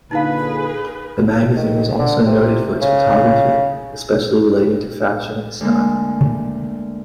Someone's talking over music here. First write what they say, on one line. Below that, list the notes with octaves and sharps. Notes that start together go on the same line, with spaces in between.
The magazine is also noted for its photography, especially relating to fashion and style.
A#2 D3 D#4 E4 G#4 B4 F5
D#3
D3
C3
C#3
D2 G#3 A#3